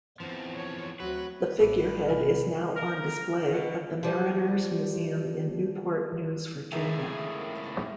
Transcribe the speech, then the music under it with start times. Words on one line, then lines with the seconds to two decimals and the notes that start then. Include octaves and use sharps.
The figurehead is now on display at The Mariners' Museum in Newport News, Virginia.
0.20 E2 E3 F3 C4 D4
0.55 C#5
1.00 D2 F#3 C4 F#4 B4
1.60 A1 A3 B4 D5
2.06 C3 A#4 B4 G#5
2.76 A#4
3.52 B2
4.03 F3 G3
6.72 C#2 A2 G#4 A#4 E5 G5